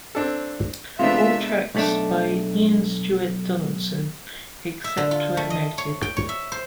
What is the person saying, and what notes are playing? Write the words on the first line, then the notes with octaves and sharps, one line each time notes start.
All tracks by Ian Stuart Donaldson, except where noted.
C4 D4 A4
C3 E3 G#3 A3 B3 D4 F4 E5
B1 A3 D4
E5
D3
F4
A3
D#5
C#5
G5
C#5
E5
C5